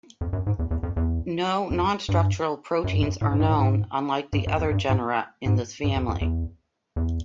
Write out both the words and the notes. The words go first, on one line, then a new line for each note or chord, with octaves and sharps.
No nonstructural proteins are known unlike the other genera in this family.
F2
F#2
G#2
E2
E2
F2
E2
F2
G2
F#2
G2
F#2
A2
G#2
G2
A2
G#2
G2
F#2
F2
G2
G#2
G#2
G2
F2
F2
E2
E2